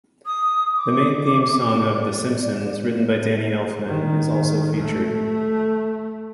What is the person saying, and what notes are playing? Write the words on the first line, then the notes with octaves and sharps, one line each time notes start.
The main theme song of "The Simpsons", written by Danny Elfman, is also featured.
D#6
D6
D5
D#3
A3